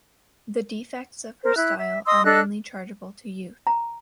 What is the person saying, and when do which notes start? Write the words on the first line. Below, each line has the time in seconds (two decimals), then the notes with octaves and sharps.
The defects of her style are mainly chargeable to youth.
1.44 A#4 C5
1.56 E4 F#6
1.79 E5
2.06 D#5 C6 D#6 E6
2.24 D4 A4 D#5 F#6
3.67 A#5